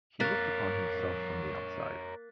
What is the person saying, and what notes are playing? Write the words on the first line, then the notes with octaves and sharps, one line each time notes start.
He looked upon himself from the outside.
A#3 A#4 C#5 F#6 A6 B6